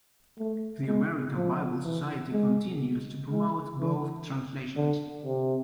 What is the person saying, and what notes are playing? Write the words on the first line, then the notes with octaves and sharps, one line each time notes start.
The American Bible Society continues to promote both translations.
A3
G#3
F3
E3
G#3
G#3
E3
D3
C3